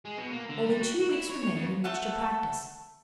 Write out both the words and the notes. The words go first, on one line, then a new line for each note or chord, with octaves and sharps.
Only two weeks remained in which to practise.
G#3
B2
A#3
D3
G3
F#4
F#4
E4
C#5
C#5
F2
A3 A4 F#5